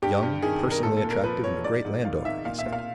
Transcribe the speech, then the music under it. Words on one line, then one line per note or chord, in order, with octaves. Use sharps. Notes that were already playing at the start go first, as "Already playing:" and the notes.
"Young, personally attractive, and a great landowner," he said.
G2 G4
G2
D#3 G#4
D#3
A#4
A#2 A4
A4
A#2
A#4
F3 B4
F3 C#5
G#2 D5
G#2
D#3 F5
D#3 E5
A#2 F5
E5
A#2
F5